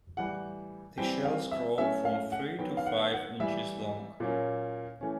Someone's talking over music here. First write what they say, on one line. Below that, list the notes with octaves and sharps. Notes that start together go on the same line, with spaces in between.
The shells grow from three to five inches long.
A2 E3 G3 F#5
E3 G3 C4 G5
F5
E5
A2 F#3 A3 C#4 E5
F5
F#5
D#3 F#3 B3 G5
F5
F#5
F#5
A2 E3 G3 E5
A#2 F#3 A#3 C#4
E3 A3 C#4